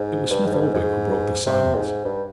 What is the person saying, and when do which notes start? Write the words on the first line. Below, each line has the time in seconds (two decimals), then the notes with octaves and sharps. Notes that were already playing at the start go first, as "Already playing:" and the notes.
It was Smith-Oldwick who broke the silence.
Already playing: G#2
0.30 G2
0.46 G#2
0.54 G2
0.60 G#2
0.74 G#2
1.46 C3
1.75 G#2
2.05 G2